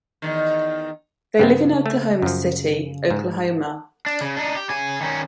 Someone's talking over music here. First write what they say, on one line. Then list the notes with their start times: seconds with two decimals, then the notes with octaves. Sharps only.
They live in Oklahoma City, Oklahoma.
0.22 E2 G2 D#3
1.39 G2 C#3 B3 C4
1.86 A3
2.22 F#2 F3
3.10 G#2
4.06 D4
4.21 C#3
4.37 D4 D#4
4.56 G4
4.70 C#3 G#5
5.01 D#3 C#4